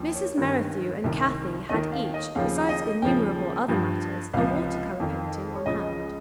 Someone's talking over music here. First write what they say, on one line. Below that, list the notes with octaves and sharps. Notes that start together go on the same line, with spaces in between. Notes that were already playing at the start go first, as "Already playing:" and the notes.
Mrs. Merrithew and Kathie had each, besides innumerable other matters, a water-colour painting on hand.
Already playing: D#2 F3
C#5
G2 D#3
C2 C3 D#3
D#2 D#3 D#5
F5
D#5
D#2 C#3 F3 F5
D#5
D#2 C#3 F3 G5
G2 F3
C#2 C3 F3 F5
F2 D#3
C#5
C#2 C#3 F3 D#5